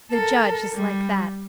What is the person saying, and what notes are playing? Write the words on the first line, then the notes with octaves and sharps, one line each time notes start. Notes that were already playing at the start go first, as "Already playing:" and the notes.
The judge is like that.
A4 A#4
G3